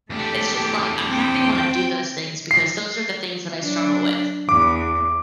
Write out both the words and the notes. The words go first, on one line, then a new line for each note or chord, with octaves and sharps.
it's just, like, I'm happy when I do those things because those are the things that I struggle with.
E2 A3 D4 G4
C4 G5
C7
F#3 D4
E2 D6